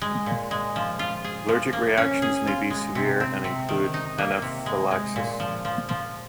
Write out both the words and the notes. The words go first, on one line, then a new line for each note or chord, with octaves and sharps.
Allergic reactions may be severe and include anaphylaxis.
G#3
A#2
G#3
F3
F4
G#4
F3
A#3
C#4
G#4
F4
G#3
C3
C4
C3
D#3
D#4
A#3
C3
G#3
G#3
A#2
F3
F3
F3